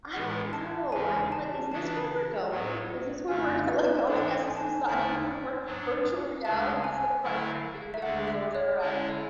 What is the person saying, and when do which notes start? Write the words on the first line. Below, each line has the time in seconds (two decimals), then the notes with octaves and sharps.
I don't know. I mean, like, is this where we're going? Is this where we're g like, going as a society where we're virtual reality is the primary medium for social interaction?
0.13 A2 E3 G#3 B3 F#5
0.53 A5
0.92 E2 C#3 E3 G#3 G#5
1.32 A5
1.72 C#3 E3 B3 D4 A5
2.50 A2 F#3 B3
3.28 F#2 D3 A3 G#5
3.68 B4
4.08 G#2 E3 B3 D4 A4
4.48 G#5
4.57 A5
4.67 G#5
4.87 E2 D3 A3 E4
5.66 G#2 F#3 B3 D4
6.44 D2 C#3 G#3 D4 A5
6.84 G#5
7.23 D3 F#3 A3 E4
7.94 E5
8.02 D2 D3 G#3 D4 F#5
8.28 E5
8.55 C#5
8.81 D3 G#3 C#4 E4